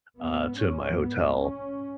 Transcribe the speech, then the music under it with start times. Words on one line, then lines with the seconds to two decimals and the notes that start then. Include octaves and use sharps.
uh, to my hotel,
0.19 G#2 B3
0.60 C#4
1.00 B3
1.41 C#4